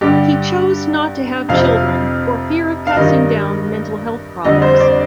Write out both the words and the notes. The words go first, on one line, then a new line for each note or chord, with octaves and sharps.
He chose not to have children for fear of passing down mental health problems.
G2 D3 G3 G4
F2 C3 F3 F5
F5
G2 D#3 G3 D#5
F2 D3 G3 D#5
C5
C5
D5